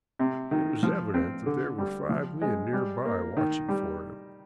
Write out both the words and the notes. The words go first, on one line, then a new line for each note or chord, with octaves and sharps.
It was evident that there were five men near by watching for him.
C3
D#3
F3
C4
D3
G3
F3
G#3
G3
A#3
D#3
G3